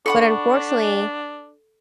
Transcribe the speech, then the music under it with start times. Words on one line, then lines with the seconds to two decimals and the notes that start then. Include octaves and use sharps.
But unfortunately,
0.06 D4 A4 F#5 B5 C#6